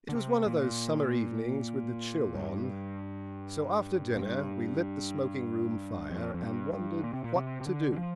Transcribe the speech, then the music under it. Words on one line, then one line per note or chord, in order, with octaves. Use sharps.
It was one of those summer evenings with the chill on, so after dinner we lit the smoking-room fire and wondered what to do.
D3
C3
A#2
G2
A#2
G2
F2
F2
G2
G2
A#2
C3
A#2
C3
C3
D3
D3
F3